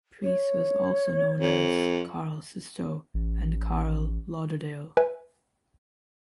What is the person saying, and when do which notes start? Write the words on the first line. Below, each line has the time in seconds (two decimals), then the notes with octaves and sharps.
Preece was also known as Carl Sisto and Carl Lauderdale.
0.23 C#5
1.40 F2
3.14 A1
4.97 B4 E5 G#5